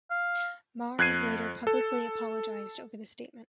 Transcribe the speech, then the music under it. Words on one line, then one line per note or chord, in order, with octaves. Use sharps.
Maher later publicly apologised over the statement.
F5
F2 F#6 G#6 C7 D#7
A4